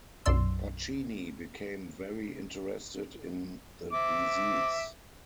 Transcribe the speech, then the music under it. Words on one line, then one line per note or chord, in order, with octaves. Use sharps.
Pacini became very interested in the disease.
B1 F#2 F#3 D5 C6 E6
E5 D6